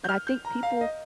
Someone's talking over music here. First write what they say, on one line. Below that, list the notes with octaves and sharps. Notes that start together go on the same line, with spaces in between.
But I think people
G6
F6
G6
A#5
F5
D#5